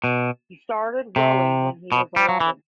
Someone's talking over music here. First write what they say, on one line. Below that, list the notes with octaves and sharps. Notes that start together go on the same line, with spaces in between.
He started rowing when he was eleven.
B2
C3
B2
G3
F#3
E3